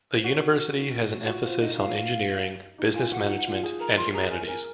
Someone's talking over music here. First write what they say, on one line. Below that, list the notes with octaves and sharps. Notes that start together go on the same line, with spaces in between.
The university has an emphasis on engineering, business management and humanities.
C5
F#4 C#5
D#4
D#4
D#4
F4
F#4
F4
F#4
F4 C5
D#4 D#5
D#4 F5
D#4
F4 G#5
F#4 F#5
D#4
F4
G#4
A#4 A#5
C6
G#4 A#5
A#4 G#5
A#4 G#5